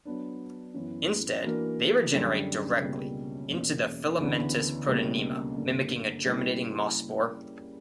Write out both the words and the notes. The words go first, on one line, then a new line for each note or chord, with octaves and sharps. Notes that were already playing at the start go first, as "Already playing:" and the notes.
Instead, they regenerate directly into the filamentous protonema, mimicking a germinating moss spore.
F#3 B3 D4
F#2 E3 B3
E3 A#3 D4 F#4 A#4
F#2 D3 G3
C#2 B2 G3 A#3
E2 B2 A#3 C#4
D2 C#3 E3 B3 D4
C#2 B2 G3 A#3
G2 D3 A#3
C#3 G3 A#3 E4